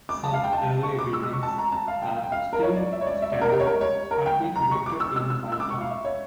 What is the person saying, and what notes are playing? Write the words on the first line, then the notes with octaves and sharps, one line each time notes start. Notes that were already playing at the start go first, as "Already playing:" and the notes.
Some early buildings that still stand had been erected in Bytown.
D6
A5
F5
G5
A5
C#6
D6
E6
E6
C#6
A5
A#5
A5
F5
G5
G5
F5
A#4
C#5
D5
E5
C#5
D5
E5
D5
A#4
G4
C#5
A#4
C#5
A#4
G5
A#5
C#6
D6
E6
E6
E6
E6
D6
C#6
F5
E5
C#5